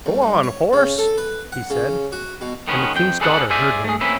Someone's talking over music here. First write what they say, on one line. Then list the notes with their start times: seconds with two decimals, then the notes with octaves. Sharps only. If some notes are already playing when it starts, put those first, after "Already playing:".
"Go on, horse," he said and the king's daughter heard him.
0.06 C2
0.22 G2
0.43 C#5
0.73 C#3
0.98 A4
1.18 B4
1.52 F#5
1.70 C#3
2.12 F#4
2.41 B2
2.68 D#3 G#3 B3 C#4
2.95 F2 G5
3.21 G#4 A4 B4 D5 F5 F#5
3.50 G#4 C5 D5 E5 G#5
3.84 A3 G#4
4.01 A#3 C4 C#4 E4 B4 E5